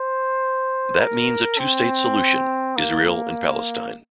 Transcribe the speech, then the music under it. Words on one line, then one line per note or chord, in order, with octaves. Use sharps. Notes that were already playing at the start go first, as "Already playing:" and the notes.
That means a two-state solution: Israel and Palestine.
Already playing: C5
A#4
C4
A#3
A#3